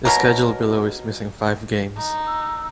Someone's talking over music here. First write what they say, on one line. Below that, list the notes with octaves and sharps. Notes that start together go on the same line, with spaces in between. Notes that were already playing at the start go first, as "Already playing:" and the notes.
The schedule below is missing five games.
B2 F#3 A#4
D#4
E6